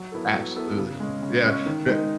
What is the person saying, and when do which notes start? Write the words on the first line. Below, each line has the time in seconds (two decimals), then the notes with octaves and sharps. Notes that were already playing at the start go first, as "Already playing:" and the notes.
Absolutely, yeah, bu
Already playing: F#3
0.12 B3 E4 A4
0.34 F#3
0.56 B3 E4 A4
0.78 C#3
1.00 G#3 C#4
1.22 C#3
1.44 G#3 C#4
1.66 D#3
1.88 G#3 D#4